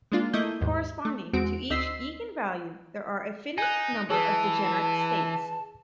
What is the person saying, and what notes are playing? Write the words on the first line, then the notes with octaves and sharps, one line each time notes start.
Corresponding to each eigenvalue there are a finite number of degenerate states.
G#3 A#3 D4 F4
A3 A#3 E4 D#5 G6
D#2 G#2
A3
E2 G#3 C4 F#4 D7
D2 C4 D#5 E6 B6 C7
D#4 G#5 F#6
E3 G#4 B4 A5